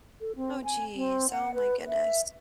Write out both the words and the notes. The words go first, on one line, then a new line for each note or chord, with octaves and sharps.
Oh, jeez. Oh my goodness.
A4
C4
G#5
C4
F#5
B4
E5